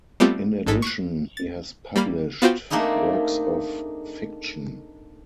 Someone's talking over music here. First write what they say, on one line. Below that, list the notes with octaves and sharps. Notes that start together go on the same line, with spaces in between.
In addition, he has published works of fiction.
G3 A3 B3 C4 F4 G4
A1 G#2 A4 G#6 B6
C#6 F#6
A6
G3 A#3 B5 F6
B3 F4 F#4 C5 F5 G5
A3 A#3 C4 D4 D#4 G#4